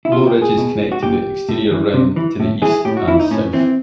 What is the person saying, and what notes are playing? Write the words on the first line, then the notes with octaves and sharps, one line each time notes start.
Low ridges connect to the exterior rim to the east and south.
E4
B2 F4
G4
G#4
B2
F#4
A#2 G4
A2
E3
C3
E3
A2
E3 G#4
A2 G4
F#4
E3 E4
D#4
A2 C#4
E3 C4